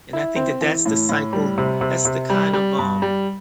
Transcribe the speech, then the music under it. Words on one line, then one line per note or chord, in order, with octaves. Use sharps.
and, I think that that's the cycle that's the kind of, um,
E4
C4
E3
A2
A2
G3
C3
C3
C3
G3
G3
G2
G3